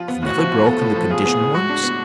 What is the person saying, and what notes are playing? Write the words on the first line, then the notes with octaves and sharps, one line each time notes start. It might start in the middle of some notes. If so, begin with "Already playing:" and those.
I have never broken the condition once.
Already playing: F3 F4
B3
A2 F#4
F3
F4
B3 A4
A2
F3
F4 G#4
B3
A2
G#3 F#4
D4
B3